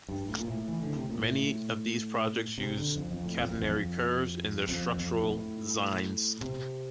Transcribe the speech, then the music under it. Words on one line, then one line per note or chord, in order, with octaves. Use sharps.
Many of these projects use catenary curves in their structural designs.
G2
A2
A#2
A2
E3
D3
C3
A#2
A2
C3
D3
F2
F2
A2
F2
F2
E2
F2
F2
F2
G2
A2
C3